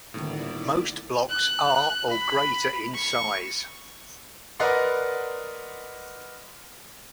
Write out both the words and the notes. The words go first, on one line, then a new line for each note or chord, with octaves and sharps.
Most blocks are or greater in size.
D#1 A2 D3 D#3 B3 E4 D5
F#6
B5
C#6
A#4 B4 D5 D#5 F#5 C6